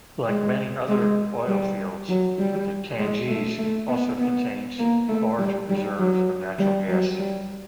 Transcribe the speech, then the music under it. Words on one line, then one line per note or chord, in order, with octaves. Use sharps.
Like many other oil fields, the Tengiz also contains large reserves of natural gas.
G#3
G#3
G3
F#3
G3
G#3
A3
A3
B3
B3
A#3
A3
G3
G3
F#3
G3
F#3
G3